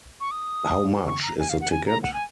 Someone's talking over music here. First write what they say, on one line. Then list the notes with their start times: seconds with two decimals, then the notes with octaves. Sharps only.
How much is the ticket?
0.20 C#6
0.31 D#6
1.07 C#6
1.23 A#5
1.39 G#5
1.49 F5
1.61 F#5
1.71 G#5
1.87 A#5
2.03 F#5
2.13 G#5